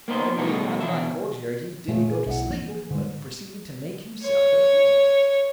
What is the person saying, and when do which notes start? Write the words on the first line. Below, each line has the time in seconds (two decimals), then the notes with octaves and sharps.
Only, unlike Holger, he didn't go to sleep, but proceeded to make himself at home.
0.08 A#3 B3 D#4 C5
0.37 B2 D#3 G3 A3 D#4 F#4
0.81 B2 E3 E5
1.88 A#2 C#3 A3 F4
2.08 F#4 G#4
2.26 B1 E4 D5 F#5
2.49 E3 F3 A#3
2.68 G#4
2.91 G#2 D3 G3 G#3
4.23 C#5